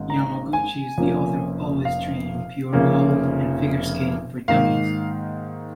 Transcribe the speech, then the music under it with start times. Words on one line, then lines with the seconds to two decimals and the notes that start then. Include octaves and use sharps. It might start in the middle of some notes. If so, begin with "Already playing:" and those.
Yamaguchi is the author of "Always Dream", "Pure Gold", and "Figure Skating for Dummies".
Already playing: G#1 G#2 D#3 A#3 C#4
0.10 A#5
0.53 G#5
0.98 F1 F2 F3 A#3 C#4
1.85 F5
2.73 F1 F2 C#3 A#3 C#4
4.48 G#2 D#3 A#3 F5